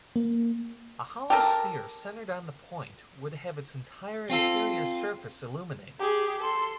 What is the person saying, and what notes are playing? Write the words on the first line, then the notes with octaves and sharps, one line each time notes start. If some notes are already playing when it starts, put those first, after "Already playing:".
A hollow sphere centered on the point would have its entire interior surface illuminated.
A#3
G4 A4 A#4
C4 F4 A4
G4 G#4
A4 C6